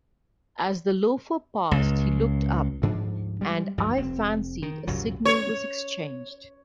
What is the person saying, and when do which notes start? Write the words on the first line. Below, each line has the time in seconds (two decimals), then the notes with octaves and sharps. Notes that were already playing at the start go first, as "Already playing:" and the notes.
As the loafer passed he looked up, and I fancied a signal was exchanged.
1.71 C#2
2.82 D2 G#2 F3 D4
3.41 G3 G#3
3.78 D2 G2 F3
3.97 F1 C4
4.62 D#3
4.87 C2 F#2 A#2 F#3
5.25 C#5